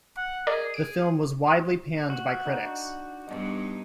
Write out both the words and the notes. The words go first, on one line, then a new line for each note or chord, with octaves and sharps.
The film was widely panned by critics.
F#5
G#4 A#4 D5 D#5
G#4 D7
F#4
D4 D#4
E2 G2 D#4 D#5